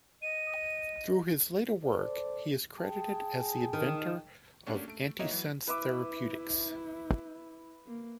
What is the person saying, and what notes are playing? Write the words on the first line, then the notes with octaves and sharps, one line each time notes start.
Through his later work, he is credited as the inventor of antisense therapeutics.
D#5 D#7
A4 C5 D5
G#4 G5 A5
D#3
A3 A#3 C#4 D4 F#4 G4
A3 D7
A#3 D#4 F#4 C#5 D#5 E5
E3 F#3
E4 B4 E5 D6
A#3